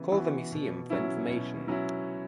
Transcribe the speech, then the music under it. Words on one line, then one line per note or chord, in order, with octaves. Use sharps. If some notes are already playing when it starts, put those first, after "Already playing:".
Call the museum for information.
Already playing: C#3 E3 B3
E3 B3 F#4
B2
F#3 C#4 E4
B2
F#3 C#4 E4